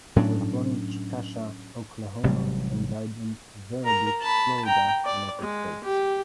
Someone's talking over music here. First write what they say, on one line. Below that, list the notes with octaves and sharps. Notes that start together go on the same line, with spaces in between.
He was born in Chickasha, Oklahoma and died in Vero Beach, Florida, United States.
A2 F#3 C#4 D4
A1 C3 F#3 G3
A#4 A#5
A5 B5
G5 A#5
D5
G#3
G4